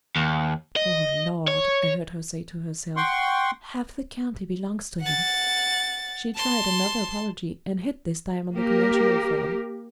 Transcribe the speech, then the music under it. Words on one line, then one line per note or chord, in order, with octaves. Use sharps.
"Oh, Lord," I heard her say to herself, "half the county belongs to him!" She tried another apology, and hit this time on the conventional form.
D#2
D#5
C#5
F#5 G5 C6 C#6
F#5 A6
A5 C6
A#3 G4 A#4